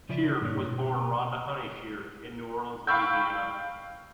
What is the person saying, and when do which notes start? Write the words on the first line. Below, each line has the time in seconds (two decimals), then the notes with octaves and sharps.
Shear was born Rhonda Honey Shear in New Orleans, Louisiana.
0.09 C#3 F3 E4 D5
0.41 G2 A#2 G#3 D4 C#5
0.68 B2
2.87 F5 G5 B5 C#6 E6 G6